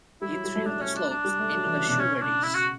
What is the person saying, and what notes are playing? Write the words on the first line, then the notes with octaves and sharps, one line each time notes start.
He threw the slops into the sugar-dish.
G3 E4
F#3
G3
A3
A3 D4
C#4
D4
D4
G3
A3
F#3
E3
C#3
B2 D4
C#3 C#4
C#4
C#3 D4
C#3 E4
F#4